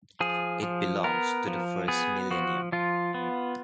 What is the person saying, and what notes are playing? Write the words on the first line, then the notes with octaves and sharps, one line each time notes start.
It belongs to the first millennium.
F3 G#4
F3
B3 A#4
F3
B3 G#4
F3 F#4
F3 F4
B3